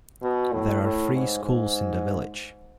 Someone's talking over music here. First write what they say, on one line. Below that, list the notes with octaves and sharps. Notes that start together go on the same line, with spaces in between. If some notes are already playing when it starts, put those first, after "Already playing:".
There are three schools in the village.
B2
A2
A2
G#2
G#2